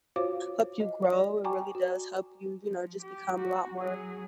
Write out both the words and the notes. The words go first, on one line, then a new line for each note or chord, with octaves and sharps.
help you grow, it really does help you, you know, just become a lot more
F4 F#4 C5 C#5 F5 D6
D#5
D5
G5 G#5 A#5 C#6 D6
F#4
F3
G4
F#4
F#3 G#4